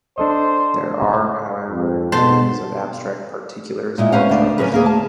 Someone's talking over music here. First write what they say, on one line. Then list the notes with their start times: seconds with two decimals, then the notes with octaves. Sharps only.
There are, however, theories of "abstract particulars" or "tropes".
0.18 D4 A4 C5 D#5
1.69 F2
2.12 B2 C5 A5
3.98 A#2 G#3 E4
4.12 B3 C#4 B4 C5 F5 F#5
4.30 D2 B3 D4
4.58 D3 F#3 C#4 G#4 A#4 B4
4.72 D2 A#3 G#4
4.86 A5